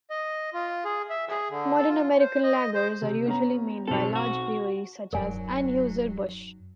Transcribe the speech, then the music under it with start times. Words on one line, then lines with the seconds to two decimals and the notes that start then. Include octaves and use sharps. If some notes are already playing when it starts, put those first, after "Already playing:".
Modern American lagers are usually made by large breweries such as Anheuser-Busch.
0.10 D#5
0.53 F4
0.85 G#4
1.10 E5
1.30 G#4
1.50 D3
1.78 A4
1.89 F4
2.20 C5
2.43 D#5
2.74 C5
3.02 C3
3.26 B3 C#4 A#5
3.87 B1 F#3 C4 A4
4.16 F#4
5.13 D1 F#2 F#3 D#4 A#4 D5 G#5